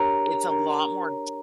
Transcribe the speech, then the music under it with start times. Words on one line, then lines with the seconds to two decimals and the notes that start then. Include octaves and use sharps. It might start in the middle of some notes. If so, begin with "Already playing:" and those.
It's a lot more
Already playing: D4 G4 A#4 C#5 A#5
0.49 D4 G4 A#4 C#5 A#5
1.08 D4 G4 A#4 C#5